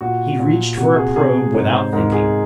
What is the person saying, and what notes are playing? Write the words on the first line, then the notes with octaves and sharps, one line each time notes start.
He'd reached for a probe without thinking.
A#2 F#4
A#2
C3 F#4
G#4
C3 G#4
G#2 C#5
C5
G#2 A#4
G#4